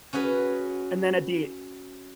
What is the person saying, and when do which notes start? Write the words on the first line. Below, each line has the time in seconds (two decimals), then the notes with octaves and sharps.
And then at the
0.13 C#4 F#4 G#4 B4